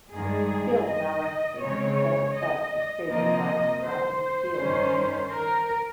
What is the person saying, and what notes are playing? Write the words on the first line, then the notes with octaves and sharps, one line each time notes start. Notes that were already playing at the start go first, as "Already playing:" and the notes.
The field now rests as synthetic turf with stadium lights surrounding the field.
G2 D#3 G#3 G#4
D#5
C#3 G#3 C4 C#5
D#5
D#5
C3 F3 A#3 D#5
C5
G2 D#3 G3 C#4
A#4